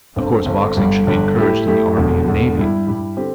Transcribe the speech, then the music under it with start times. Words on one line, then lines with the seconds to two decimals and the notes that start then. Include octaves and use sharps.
Of course boxing should be encouraged in the army and navy.
0.16 G1 G2 D3 C4
0.46 G1 G2 D3 C4
0.77 G1 G2 D3 G3
1.07 G1 G2 D3 G3
1.36 A2 A3 E4 G4
1.66 A2 A3 E4 G4
1.97 E1 E2 D3
2.27 E1 E2 D3
2.57 G2 G3 E4
2.87 G2 G3 E4
3.17 D3 C4 G4